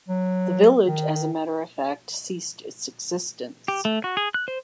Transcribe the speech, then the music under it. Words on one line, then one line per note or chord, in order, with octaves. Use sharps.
The village, as a matter of fact, ceased its existence.
F#3
D#3
G4
A3
F#4
G#4
F#6
C5